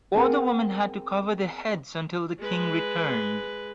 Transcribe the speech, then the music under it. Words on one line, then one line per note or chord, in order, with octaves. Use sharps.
All the women had to cover their heads until the king returned.
B3 C4 G#4 A#4 F#5 G#5
G#3 B4